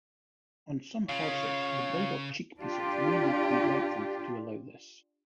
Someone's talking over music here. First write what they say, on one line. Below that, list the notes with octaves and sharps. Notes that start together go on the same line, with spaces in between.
On some horses, the bridle cheekpieces may need to be lengthened to allow this.
C#3 F4 C#5
D4 F4 G4